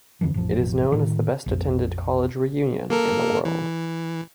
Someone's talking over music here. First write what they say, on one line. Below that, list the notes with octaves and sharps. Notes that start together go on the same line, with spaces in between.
It is known as the best-attended college reunion in the world.
F2 D3 E3 F3
A1 F2 F3
A2 D#3
A#1 F2
A#3 A4 A#4
E3